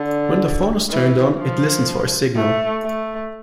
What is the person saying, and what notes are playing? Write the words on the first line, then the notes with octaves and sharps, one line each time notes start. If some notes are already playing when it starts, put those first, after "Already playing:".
When the phone is turned on, it listens for a signal.
Already playing: D3
E3
F3
A3
A3